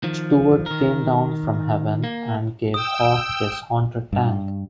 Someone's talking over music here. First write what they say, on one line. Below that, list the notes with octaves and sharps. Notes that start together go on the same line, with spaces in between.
Stuart came down from Heaven and gave Hawk his Haunted Tank.
D#3 F3
D#3 A#4
A#3
G5 D#6 E6
G2